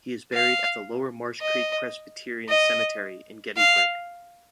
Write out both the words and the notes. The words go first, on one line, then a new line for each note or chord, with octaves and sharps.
He is buried at the Lower Marsh Creek Presbyterian Cemetery in Gettysburg.
F5
D#5
D#5
F5